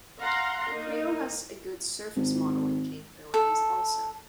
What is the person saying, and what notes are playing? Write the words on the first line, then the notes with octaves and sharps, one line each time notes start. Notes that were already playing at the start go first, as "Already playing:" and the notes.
Creo has a good surface modeling capabilities also.
F5 F#5 A#5 C6
A#3 D#4
G#1
A4